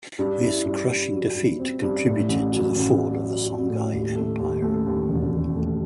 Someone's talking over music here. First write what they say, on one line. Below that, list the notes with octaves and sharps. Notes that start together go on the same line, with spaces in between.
This crushing defeat contributed to the fall of the Songhai Empire.
G2
E4
G2
G2
F#3
G2
C4
G2
A2
A1
F#3
A1
F#3
F#3
F#3
A2
D#2
A3
D#2
A3
D#2
E1
E1
A3